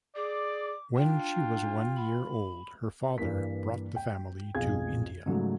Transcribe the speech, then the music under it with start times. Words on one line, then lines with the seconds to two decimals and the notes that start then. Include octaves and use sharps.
When she was one year old, her father brought the family to India.
0.16 G#4 D5 D6
0.97 D4 F4 G5
1.97 B5
3.18 G2 E3 A#3 B6
3.96 G5
4.55 B1 F2 G#4 F5 G#6
5.26 G#2 C#3 F#3 G3 A3